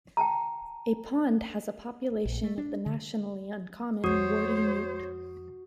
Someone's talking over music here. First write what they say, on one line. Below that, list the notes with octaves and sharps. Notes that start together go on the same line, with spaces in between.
A pond has a population of the nationally uncommon warty newt.
G5 A5 A#5
A#1
A3
D4
D3
F2 F#4 C5 C#5 D#6